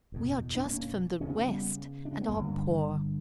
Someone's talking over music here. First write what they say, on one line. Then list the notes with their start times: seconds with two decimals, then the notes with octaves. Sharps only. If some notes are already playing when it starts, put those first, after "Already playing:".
We are just from the West, and are poor.
0.12 F#1 E2 B2
0.55 D4
0.65 A#3 C#4
1.20 D2 C#3 C#4
1.29 B3
1.36 A#3
1.44 G3 B3
2.05 D4
2.13 C#4
2.21 B3
2.29 G1 G2 D3 F#3 A#3